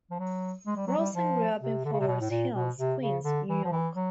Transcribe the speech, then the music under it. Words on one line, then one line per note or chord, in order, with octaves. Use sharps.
Rosen grew up in Forest Hills, Queens, New York.
F3
F#3
G#3
G3
F#3
G3
F3
C3
D3
C#3
C3
B2
A2
A#2
B2
C3
C#3
D3
E3
F3
E3
F#3